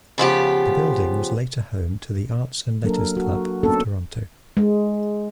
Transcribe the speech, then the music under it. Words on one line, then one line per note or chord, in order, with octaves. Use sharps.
The building was later home to The Arts and Letters Club of Toronto.
C#3 F3 B3 G4
F#3 A#3 D4 A4 A#4
F#4
A#3 B3 C#4 D4 A4
G#3